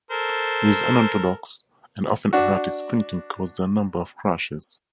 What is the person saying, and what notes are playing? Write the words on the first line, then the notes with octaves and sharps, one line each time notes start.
His unorthodox and often erratic sprinting caused a number of crashes.
A4 A#4 C5
D4 F#4